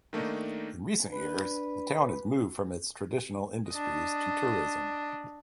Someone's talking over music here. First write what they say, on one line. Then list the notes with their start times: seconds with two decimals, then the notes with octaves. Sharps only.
In recent years the town has moved from its traditional industries to tourism.
0.13 D#3 A3 A#3 D4 D#4
1.11 D4 B4
3.70 D4 D#5